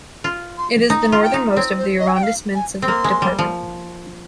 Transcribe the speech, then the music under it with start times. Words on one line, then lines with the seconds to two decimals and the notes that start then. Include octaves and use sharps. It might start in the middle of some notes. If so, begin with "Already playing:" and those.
It is the northernmost of the arrondissements of the department.
0.24 F4
0.58 C6
0.90 D#4
1.12 F4
1.23 G5
1.34 D#4
1.56 C4 C#5
1.78 C5
2.00 D#5
2.08 G#5
2.15 G5
2.23 F5
2.55 G#5
2.82 C4
2.88 A#3 C6
3.04 G#3
3.22 G3
3.39 F3